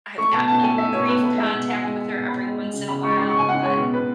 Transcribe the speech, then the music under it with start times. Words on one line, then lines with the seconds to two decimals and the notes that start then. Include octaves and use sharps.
I've gotten like, brief contact with her every once in a while, but
0.18 A3 C#6
0.33 B2 A5
0.48 B2 A5
0.63 A3 G#5
0.78 A3 E5
0.93 B2 C#5
1.08 B2 B4
1.23 A3 B4
1.38 G#3 E5
1.53 B2
1.68 B2 F#5
1.83 G#3 G#5
1.98 G#3
2.13 B2
2.28 B2 B5
2.44 G#3
2.58 G#3
2.73 C#3
2.88 C#3 B5
3.03 G#3 C#6
3.18 G#3 D6
3.29 C#6
3.34 C#3 G#5
3.48 C#3 F#5
3.63 G#3 C#5
3.79 B2
3.93 B2 B4